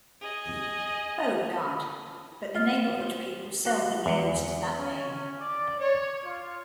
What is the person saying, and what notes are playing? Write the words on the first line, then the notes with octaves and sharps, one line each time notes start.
Beauregard, but the neighborhood people seldom used that name.
G#4 D#5
F4
C5
F#4
E2
C#4
D5
C#5
F4